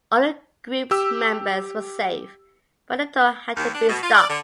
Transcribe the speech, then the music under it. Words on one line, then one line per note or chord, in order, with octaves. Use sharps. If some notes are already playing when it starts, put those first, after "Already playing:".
All of the group's members were safe, but the tour had to be stopped.
G4 E6
D#2
D4
B2
F4
D5
D3